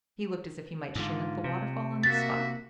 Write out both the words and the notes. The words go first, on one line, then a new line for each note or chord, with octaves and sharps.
He looked as if he might shin up the waterfall on the spot.
G#2 D3 F4
C3
A#3 F#4 E5 A6